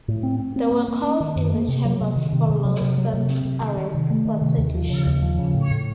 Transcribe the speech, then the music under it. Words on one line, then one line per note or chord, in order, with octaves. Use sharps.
There were calls in the chamber for Lawson's arrest for sedition.
A2
C4
C4
C4
A#3
A#3
C#4
D#3
F#2
A#3
C3
F#3
C3
D#3
C3
C3
F#3
C3
F#3
C3
C4
C3
D#3
D#3
C3
A3
D#3
C3
D#2
F3
C#3
D#2
F3
C#3
A2
A2